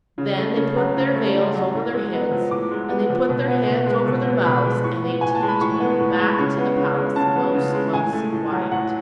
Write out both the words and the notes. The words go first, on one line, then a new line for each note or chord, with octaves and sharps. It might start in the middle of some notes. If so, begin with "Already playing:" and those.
Then they put their veils over their heads, and they put their hands over their mouths, and they tiptoed back to the Palace most mousy-quiet.
C#3
A3
C#3
F#3
C#3
A3
C#3
F#3
A2
G#3
B3
F3
A2 D6
G#3
B3
F3
B2
B3
B2
G#3
B2 C#6
B3
B2 B5
G#3
A2 C#6
B3
A2 G#5
A5
G#3
B5
A2 C#6
B3
A2
G#3
B5
C#3 C#6
B3
C#3
G#3
C#3 A5
B3
C#3
G#3
A2 G#5
A3
A2
F#3
A2 F#5